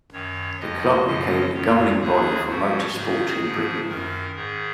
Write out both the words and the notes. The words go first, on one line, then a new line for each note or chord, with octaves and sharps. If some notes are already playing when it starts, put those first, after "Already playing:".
The Club became the governing body for motor sport in Britain.
F#2 D#3 C#5
F2 F3 D#5
F#2 C#3 F3 D#5
F#2 D#3 C#5
D#2 D#3 G#4
G#2 F3 F#4
G#2 D#3 G#4
G#2 F3
F#2 D#3 A#4
G#2 D#3 G#4